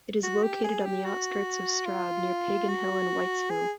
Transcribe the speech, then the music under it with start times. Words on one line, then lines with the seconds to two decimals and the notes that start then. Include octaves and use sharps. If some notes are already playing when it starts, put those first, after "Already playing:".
It is located on the outskirts of Stroud near Paganhill and Whiteshill.
0.23 F#4
0.43 G4
0.64 G#4
0.85 G4
1.05 F#4
1.86 F4
2.69 F#4
3.50 G#4